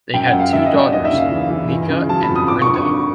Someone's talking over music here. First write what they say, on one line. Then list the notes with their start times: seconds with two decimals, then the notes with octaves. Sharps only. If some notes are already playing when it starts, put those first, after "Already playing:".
They had two daughters, Mika and Brinda.
0.14 F#2 G5
0.27 F#5
0.33 F#2
0.40 F5
0.53 F#2 E5
0.66 D#5
0.73 F#2
0.79 D5
0.92 D#2 D#5
1.05 E5
1.12 C#3
1.18 F5
1.31 E3
1.50 E3
1.70 G1
1.90 C#3
2.09 F#3 A5
2.22 B5
2.29 F2
2.35 D#6
2.48 G#1 D6
2.62 C#6
2.68 D3
2.75 C#6
2.87 D3